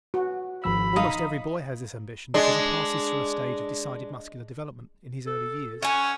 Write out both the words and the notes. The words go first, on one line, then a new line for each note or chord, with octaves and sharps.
Almost every boy has this ambition because he passes through a stage of decided muscular development in his early years.
F#4
G#1 F3 B5 E6
D#4 F5 D#6
G#3 D4
A4
C#4 F#5 G#5 C#6